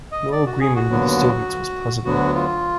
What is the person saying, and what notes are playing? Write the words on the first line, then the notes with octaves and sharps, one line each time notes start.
No agreement with the Soviets was possible.
D#5
D5
F#4
G#4
F#4
D#2 D3 F#3 B3
D2 D3 F#3 B3 F#4
F4